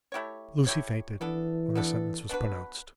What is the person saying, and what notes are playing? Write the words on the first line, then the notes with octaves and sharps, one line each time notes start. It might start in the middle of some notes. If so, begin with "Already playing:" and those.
Lucie fainted when the sentence was pronounced.
A3 E4 G4 C#5
A3 E4 G4 C#5
E3 B3 D4 A4
B3 D4 A4
B3 D4 F#4 B4